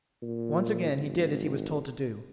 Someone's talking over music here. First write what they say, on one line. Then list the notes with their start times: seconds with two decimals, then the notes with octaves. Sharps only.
Once again he did as he was told to do.
0.22 A#2
0.92 G#1